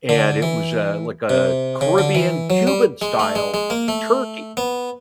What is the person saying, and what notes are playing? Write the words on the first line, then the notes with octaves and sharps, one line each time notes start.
and it was, uh, like a Caribbean-Cuban style turkey
D3
E3
C3
C#3
D3
E3
F#3
G3
G#3
A3
G#3
G#3
A#3
A3
B3